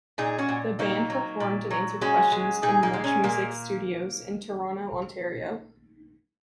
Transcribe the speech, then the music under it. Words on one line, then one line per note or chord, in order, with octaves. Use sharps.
The band performed and answered questions in MuchMusic's studios in Toronto, Ontario.
A#2 D#4 G#4
C#4 F#4
A#2
F#3 A#3 D#4
F#3
A#2
F#3
G#3 C#4 F#4
G#3
A#2 D#4 G#4
A#3 D#4
G#3
C#4
A#2 A#3